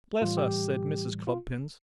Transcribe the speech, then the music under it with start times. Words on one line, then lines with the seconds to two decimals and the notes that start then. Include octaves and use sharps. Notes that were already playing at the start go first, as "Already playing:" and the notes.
'Bless us!' said Mrs. Cluppins.
0.22 A2 E3 G3 F4
0.38 G4
1.27 F4